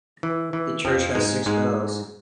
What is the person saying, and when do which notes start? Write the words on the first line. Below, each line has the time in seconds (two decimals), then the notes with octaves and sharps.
The church has six bells.
0.23 E3
0.53 E3
0.85 F2 F3
1.15 G#2 G#3
1.46 G#2 G#3